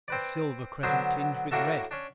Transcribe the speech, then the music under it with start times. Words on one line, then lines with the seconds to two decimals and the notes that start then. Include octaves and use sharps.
A silver crescent, tinged with red.
0.08 C4 B4 D5
0.83 D3 F#3 B3 D4 C5
1.51 A2 A#3 D4 F#4 A4 E5
1.91 C#4 D4